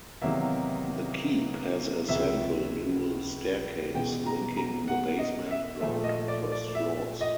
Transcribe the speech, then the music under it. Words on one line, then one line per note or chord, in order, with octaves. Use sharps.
The keep has a central newel staircase, linking the basement, ground and first floors.
E2 C3 D#3 F#3 A#3 E5
C#2 C3 F3 G#3 E5
E2 B2 G#3 G5
A#5
A#5
F#5
D#5
E5
A#2 F3 A3 E5
D#5
D5
D5
E5
D#5